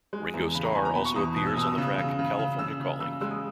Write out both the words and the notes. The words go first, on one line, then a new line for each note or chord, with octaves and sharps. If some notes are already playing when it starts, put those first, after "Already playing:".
Ringo Starr also appears on the track "California Calling".
G#3
E2
C#3 B5
A#5
E2 G#5
A#5
B2 B5
C#6
E2 D#6
B2 D#6
E6
B2 D#6
E6
D#6
C#3
C#3
C#3
C#3
C#3 E6
C#3
C#3 E6
G#3 E6
D#6